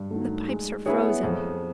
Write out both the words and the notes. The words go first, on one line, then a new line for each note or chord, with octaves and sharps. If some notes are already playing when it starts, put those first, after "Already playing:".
The pipes are frozen.
Already playing: G2
D#3 F#3 A3
G#3
B3 E4 G#4 C#5
F2